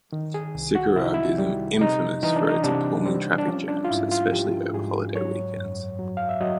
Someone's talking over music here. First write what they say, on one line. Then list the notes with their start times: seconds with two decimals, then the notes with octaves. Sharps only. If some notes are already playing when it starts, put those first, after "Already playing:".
Cicurug is infamous for its appalling traffic jams, especially over holiday weekends.
0.12 D#3
0.34 G#4
0.55 C2
0.75 F#4
0.96 C3 E4
1.05 D#4
1.14 E4
1.38 G3
1.81 C3 D#4
2.23 E3 D#4
2.36 D4
2.49 D#4
2.64 C3 D4
3.06 G3 C4
3.38 D4
3.48 F3 C#4
3.68 D4
3.84 F4
3.90 G#2 E4
4.11 F4
4.32 F3 G4
4.74 G#2 G#4
5.15 F#3 C#5
5.57 F#2
5.99 F#3
6.17 F5
6.29 E5
6.41 F#3 D#5